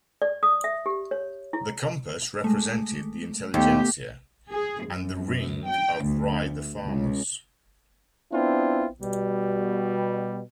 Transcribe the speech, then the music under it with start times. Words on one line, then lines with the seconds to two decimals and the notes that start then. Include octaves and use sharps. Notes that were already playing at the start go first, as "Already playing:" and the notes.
The compass represented the intelligentsia, and the ring of rye the farmers.
0.22 D5
0.43 D#6
0.64 E5
0.86 G4
1.11 C#5
1.53 E4
2.44 G#3 A3
3.54 D#2 A3 B3 G4
4.51 G#4
4.86 F#2
5.68 G5
6.03 D2
6.86 C#2
8.32 B3 C4 D4 E4 F4
9.01 B2 G3